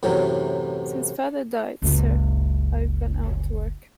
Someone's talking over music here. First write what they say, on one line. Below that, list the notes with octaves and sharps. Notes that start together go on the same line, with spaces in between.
Since father died, sir, I've gone out to work.
F#2 A2 C3 E3 F#3
F#1 C#2